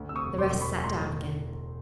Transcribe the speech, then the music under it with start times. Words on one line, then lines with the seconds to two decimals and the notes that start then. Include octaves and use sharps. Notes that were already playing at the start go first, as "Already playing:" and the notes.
The rest sat down again.
Already playing: D2
0.09 C3 E6
0.16 C#6 D#6
0.23 E1
0.38 E1 C6 D6
0.53 E1
0.60 B5 C#6
0.68 E1
0.84 A2 A#5 C6
0.99 A2